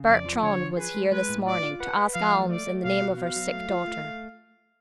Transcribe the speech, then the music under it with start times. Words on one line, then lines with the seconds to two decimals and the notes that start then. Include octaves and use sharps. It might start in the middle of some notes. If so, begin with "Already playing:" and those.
Bertrande was here this morning to ask alms in the name of her sick daughter.
Already playing: C#3
0.09 F2 D5
0.26 F3
0.43 D3 C#5
0.60 F3
0.77 G#4 B4
0.94 G#3
1.12 G#3 B4
1.29 A2
1.46 F4 D5
1.63 F4
1.80 B4 F#5
1.97 B4
2.14 F3 F5
2.33 A3
2.49 A3 D5
2.66 A3
2.84 B2 F5
3.01 F#4
3.18 B3 F5
3.36 F#3
3.53 A3
3.69 F4
3.87 A3
4.05 A3